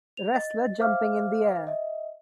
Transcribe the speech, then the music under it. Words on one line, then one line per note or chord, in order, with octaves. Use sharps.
Wrestler jumping in the air.
F7
D#5 A6
C5 E5 F5 D6 F6
D#5 E5